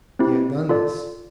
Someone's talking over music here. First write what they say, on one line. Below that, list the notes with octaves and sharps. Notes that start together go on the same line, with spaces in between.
He had done this.
C4 E4 G4
F4 A4 D5